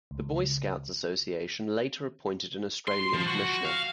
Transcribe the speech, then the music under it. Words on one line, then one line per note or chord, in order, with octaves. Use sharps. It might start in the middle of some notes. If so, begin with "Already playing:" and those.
The Boy Scouts Association later appointed an Australian Commissioner.
C#2
C6
F3
F#4
F5